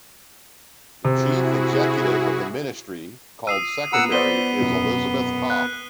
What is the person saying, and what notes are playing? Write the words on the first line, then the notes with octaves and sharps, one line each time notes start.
The chief executive of the ministry, called Secretary, is Elizabeth Koff.
C3 E4 F#4 G#4
D#6 E6 C7 D#7
A#2 B3 F#5 A#5 E6
F3 B3 C5 D5 B6 D#7 G7
E1 F#2 C3
F#6